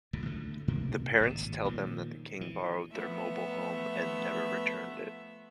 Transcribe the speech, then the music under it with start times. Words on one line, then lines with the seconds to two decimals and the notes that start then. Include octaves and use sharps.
The parents tell them that King borrowed their mobile home, and never returned it.
0.13 D#1 C#2 A2
0.25 A2 D3 A3
0.68 A2 C3 E3 A#3
1.20 G#1 A#2 C#3
1.65 A#2 D#3 F3
2.41 E3
2.92 F3 A3 B3 E5